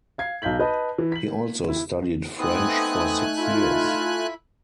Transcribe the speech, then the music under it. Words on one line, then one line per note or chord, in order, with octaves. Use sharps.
He also studied French for six years.
F5 G#6 C7
B1 F5 G6 B6 F#7
B4 D#5 A5
E3
B6 F#7
E4
A3 B3 C4 D#4 G#5 D#6 F#6
E4 F4 B5